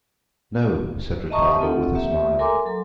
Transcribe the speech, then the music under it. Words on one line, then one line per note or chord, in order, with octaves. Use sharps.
"No," said Ricardo, with a smile.
D#5 E5 A5 A#5 C#6 D#6
G4
C4 F4 A4 F#5
A#3 G4 E5
A4 A#4 G#5 A#5 C6 D6
F#3 A4